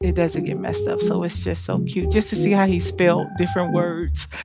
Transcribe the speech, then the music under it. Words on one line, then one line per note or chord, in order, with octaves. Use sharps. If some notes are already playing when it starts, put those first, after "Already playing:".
it doesn't get messed up, so it's just so cute just to see how he spelled different words,
D#2 G4
G4
D3 G3 F4
G4
G2 G#4
F3 G#3
F2
C3 F3 G#3
D#2 G4
D#3 B3 F4
F2 G4
G4
D3 G#3
G5
G2 G5
D#3 G#3 B3
D2